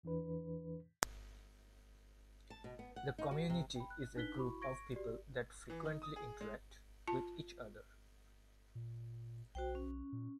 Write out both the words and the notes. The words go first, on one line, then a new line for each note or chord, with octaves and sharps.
The community is a group of people that frequently interact with each other.
E2 E3 D4 B4
A5
B2
B3
F#5
D#4
F#4
C3
G5 B5
F#6
D4 D#4 B4 F#6 B6 G7
E4 F#4 B5 C#6
C#6 G#6 A#6 D7
F#4 G4 D5
E3
D#4
D#6
G#4
G#3
F4 A5
A#2
B1 F#4 C5 G5
C#4
A#2